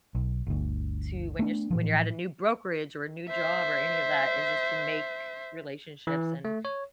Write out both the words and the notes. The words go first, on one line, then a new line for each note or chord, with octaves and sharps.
to when you're s when you're at a new brokerage or a new job or any of that is just to make relationships and
B1
G1 D2
A3 B3 D4
A2 E3 F3
C5 E5
E3
A3
C#5